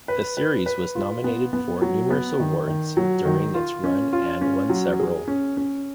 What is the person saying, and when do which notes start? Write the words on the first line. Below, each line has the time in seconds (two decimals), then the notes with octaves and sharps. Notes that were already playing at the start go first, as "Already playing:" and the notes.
The series was nominated for numerous awards during its run, and won several.
0.08 B4
0.37 B4
0.66 B4
0.95 F4
1.24 B3
1.53 B3
1.82 F#3
2.11 B3
2.40 D#3
2.68 D#3
2.97 F#3
3.25 D#3
3.54 F4
3.84 C#4
4.13 F4
4.41 C#4
4.70 F#3
4.99 G#4
5.28 C#4
5.57 C#4